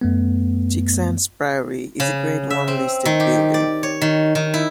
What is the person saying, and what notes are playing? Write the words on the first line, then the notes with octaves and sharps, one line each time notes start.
Chicksands Priory is a Grade One listed building.
F#2 A3 B3
C#3
E5
C4
D#3
G4
D5
C#5
D#3
D#3
E4